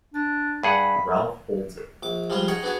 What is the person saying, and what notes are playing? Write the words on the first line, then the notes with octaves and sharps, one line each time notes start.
Ralph holds it.
D4
G2 G#4 F#5 B5
A#1 D6
F3 G3 G#3 F4 C5
D#4 G#4 C#5 F#5 G5 C#6
B3 D4 F#4 G#4 C#5